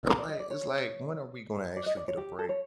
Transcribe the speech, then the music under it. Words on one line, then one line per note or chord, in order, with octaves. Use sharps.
Like, it's like, when are we gonna actually get a break?
A#4
D5
D#5
D5
C#5
D5
D#5
D5
C#5
G4
A4
C#5